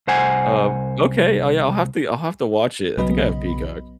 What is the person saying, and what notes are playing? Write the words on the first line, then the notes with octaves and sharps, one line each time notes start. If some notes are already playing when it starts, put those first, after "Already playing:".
uh, okay, I yeah, I'll have to I'll have to watch it. I think I have peacock.
C2 C5 F#5 G#5
B1 C#3 F#3 B3 D#5 B5